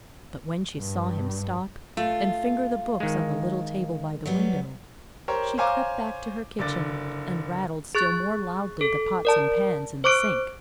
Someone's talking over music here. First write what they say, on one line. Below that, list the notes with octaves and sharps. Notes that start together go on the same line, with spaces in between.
But when she saw him stop and finger the books on the little table by the window, she crept back to her kitchen--and rattled still more loudly the pots and pans in the sink.
G2
A3 F4
D#3 G#3
F#3 G3 B3
G4 A#4 C5 C#5
C5 C#5 F5 G#5 A#5 D6
F#1 D3 D6 A6
G#4 C#6 F#6 A6
A4
A#4 D5 A5
C5 C#6 D6 F#6 D7